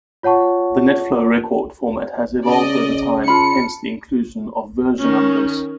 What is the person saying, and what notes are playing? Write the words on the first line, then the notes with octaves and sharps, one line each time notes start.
The NetFlow record format has evolved over time, hence the inclusion of version numbers.
F4 C#5 F#5 A5 C#6
C#3 D5 D#5
F4 A5 B5 C#7
D#3 C#4